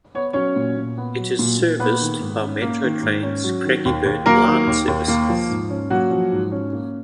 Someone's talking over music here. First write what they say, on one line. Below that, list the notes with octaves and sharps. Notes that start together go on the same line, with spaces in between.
It is serviced by Metro Trains' Craigieburn line services.
B3 C#5
F#3 C#4 C#5
A#2
A#2
B3
F#3
A#2
A#2
A#3 B3 B4
D#3
G#2
C#4
A#3
D#3
G#2
C#4
F#3
D#3
D#2
D#2
F#3 A#3 A#4
D#3
D#2
D#2
A#3
F3
G#2
C#4
F#3 A#3 F#4
F3
G#2
C#4
A#3